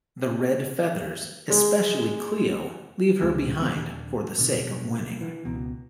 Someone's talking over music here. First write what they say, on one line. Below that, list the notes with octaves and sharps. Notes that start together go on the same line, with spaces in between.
The Red Feathers, especially Cleo, leave her behind for the sake of winning.
G#3
F1 C#2 C3 G#3
D#2 C#3 F3 B3
D#1 D3
B2 D3
E3
C#2 B2